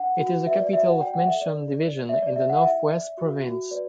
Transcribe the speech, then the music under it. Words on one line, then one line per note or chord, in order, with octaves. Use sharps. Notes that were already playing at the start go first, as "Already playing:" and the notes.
It is the capital of Menchum division in the Northwest Province.
Already playing: D4 F#5
F#4
B4 E5
D5
F#4 E5
F#5
D5 G5
F#5
A4 E5
D5
D4
D5
D5 E5
D5
G4 E5
F#5
E4 E5
D5
F#4
F#4
B4 D5